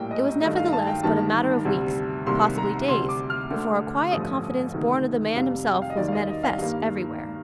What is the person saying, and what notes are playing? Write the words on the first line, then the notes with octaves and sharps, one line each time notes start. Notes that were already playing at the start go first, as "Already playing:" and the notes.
It was nevertheless but a matter of weeks, possibly days, before a quiet confidence born of the man himself was manifest everywhere.
Already playing: A#1 A2 G3 A#3 G5
D#5
G2 D#3 A3 D#5
F5
A5
G5
G1 G2 D#3 A#3 A5
D2 C3 G3
C2 C3 D#3 G3 A#3 C6
A#5
D2 C3 G3 C6
D6
F6
D2 D3 A3
A1 G2 F3 A3 D#6
D2 C3 D#3 A3
F2 C3 G3 F5
G5
F5
D#5
D#2 D#3 G3 D5
F5
D#5
D#5
F5
G2 D#3 G3 A#3 F5